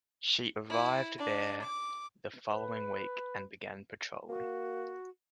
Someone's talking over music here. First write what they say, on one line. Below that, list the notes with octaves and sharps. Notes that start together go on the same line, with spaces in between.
She arrived there the following week and began patrolling.
E4
D4
D6
B4
A#3 F#4